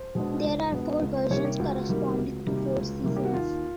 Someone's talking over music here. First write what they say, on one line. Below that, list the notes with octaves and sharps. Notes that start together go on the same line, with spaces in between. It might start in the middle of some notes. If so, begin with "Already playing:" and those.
There are four versions corresponding to four seasons.
Already playing: C5
B2 G#3 B3 D4
C#2
B2 G#3 B3 D4
C#2
C5
C3 D#3 G3 A#3 C#5
G4
C#2 F#4
C3 D#3 G3 A#3
C#2
C3 D#3 G3 A#3
C#2
C3 D#3 G3 A#3
G4
F#4
D#2 F4